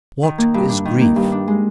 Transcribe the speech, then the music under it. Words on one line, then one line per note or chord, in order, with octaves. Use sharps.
What is grief?
D#3
A#3
G2
D4
D#3
A#3
G2
D4
G#3